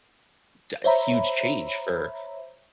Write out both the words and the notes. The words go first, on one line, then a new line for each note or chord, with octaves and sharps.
d huge change for
C5 C#5 E5 A#5 B5